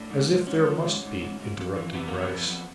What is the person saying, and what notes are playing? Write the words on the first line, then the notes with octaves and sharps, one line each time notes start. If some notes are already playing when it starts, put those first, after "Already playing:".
"As if there must be!" interrupted Bryce.
Already playing: A2 D4
G#2
G#2
G#2 C#4
F3
G#2
G#2
G#2
G#2
F2
E3
C3 B3
A#3
F2
B3
F2
F2